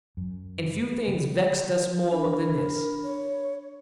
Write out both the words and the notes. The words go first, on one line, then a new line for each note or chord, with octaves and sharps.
And few things vexed us more than this.
F#2
D3
D4 A#4 B5
C#5